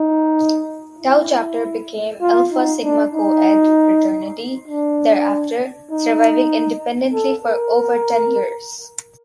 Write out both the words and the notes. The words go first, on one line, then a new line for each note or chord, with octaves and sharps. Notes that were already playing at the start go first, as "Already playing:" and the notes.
Tau Chapter became Alpha Sigma Co-Ed Fraternity thereafter, surviving independently for over ten years.
Already playing: D#4
E4
F4
D#4
D4
D#4
D4
D#4
A4
A#4